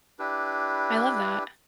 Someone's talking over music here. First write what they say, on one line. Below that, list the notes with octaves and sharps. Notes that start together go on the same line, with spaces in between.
I love that.
D4 E4 G4 B4